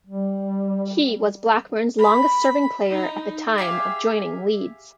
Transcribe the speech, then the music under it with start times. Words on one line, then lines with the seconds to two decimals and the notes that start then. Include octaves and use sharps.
He was Blackburn's longest serving player at the time of joining Leeds.
0.06 G3
1.99 B5
2.90 D#4
3.58 G4 G#4 E5 F5